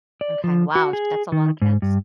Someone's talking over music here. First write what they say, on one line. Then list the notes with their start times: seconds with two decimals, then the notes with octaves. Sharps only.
Okay. Wow. Sh that's a lotta kids.
0.21 D5
0.44 F3
0.75 F#4
0.93 G#4
1.32 D#3
1.62 G#2
1.82 G2